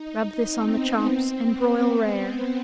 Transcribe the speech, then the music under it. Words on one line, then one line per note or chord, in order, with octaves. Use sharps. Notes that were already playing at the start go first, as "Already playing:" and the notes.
Rub this on the chops and broil rare.
Already playing: D#4
C4
B3
C4
B3